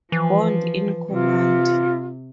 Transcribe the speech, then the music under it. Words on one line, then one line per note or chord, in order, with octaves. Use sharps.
Bond in command.
E3 F3
C3 F4